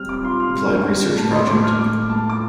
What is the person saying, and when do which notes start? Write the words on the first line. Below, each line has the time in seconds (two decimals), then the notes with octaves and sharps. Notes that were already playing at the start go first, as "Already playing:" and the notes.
Applied Research Project.
Already playing: G3 C4 F6
0.09 D6
0.25 F4 C6
0.40 F6
0.55 G3 F6
0.86 G3
1.17 A2 A5
1.32 C6
1.48 A2 D6
1.64 F6
1.79 A2 D6
2.09 A2 A5
2.30 D6